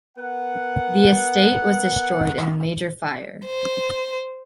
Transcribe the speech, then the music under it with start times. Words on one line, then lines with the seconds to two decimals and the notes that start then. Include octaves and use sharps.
The estate was destroyed in a major fire.
0.17 B3 A#4 F#5
3.47 C5